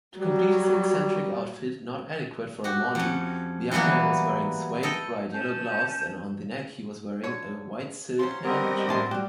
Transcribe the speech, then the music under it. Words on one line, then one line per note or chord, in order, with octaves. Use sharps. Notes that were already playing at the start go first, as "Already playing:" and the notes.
To complete his eccentric outfit not adequate for a morning, the young man was wearing suede bright yellow gloves and on the neck he was wearing a white silk handkerchief.
F#3 G3
F#4 G4
F2 C#4
E3 F#3 G3 A#3 B3
A4 D#5 G5
C#4 A5 G6
D3 C#5
F3 F#3 C#4 C6
G3 B3 C4 G4 A#4 D#5
A2 E4 A5 C6
G3 F#4 G4